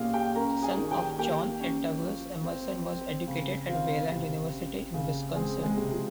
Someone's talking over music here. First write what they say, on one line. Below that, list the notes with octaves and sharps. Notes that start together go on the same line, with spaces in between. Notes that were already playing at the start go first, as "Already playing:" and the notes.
The son of John A. Douglas, Emerson was educated at Wayland University in Wisconsin.
Already playing: A#2 C#4 F4 G4 G#4 F5
G4 G5
C#4 A#4 A#5
G#4 G#5
D#3
G4 G5
A#3 G4 G5
C#4
F3
C4
C4
C#3
C4 F4 F5
C3
C#4
C#3
G#3 C4 G#4
G#3 G#4
C3
F3 F4